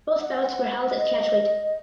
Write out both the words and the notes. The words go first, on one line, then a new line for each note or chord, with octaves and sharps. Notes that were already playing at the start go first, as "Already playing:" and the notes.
Both bouts were held at catchweight.
F#5
D#5